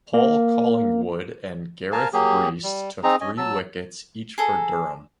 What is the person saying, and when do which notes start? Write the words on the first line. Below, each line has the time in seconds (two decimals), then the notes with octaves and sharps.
Paul Collingwood and Gareth Breese took three wickets each for Durham.
0.14 A#3
1.92 A#4 F5 G#5 A5
2.13 F#3 A#3 G4 G#4
2.64 G3
3.03 C4 D#4 G#4 A#5
3.21 C#4 D#5 G#5
3.38 F#3 A5 E6
4.38 G#4 A4 A#5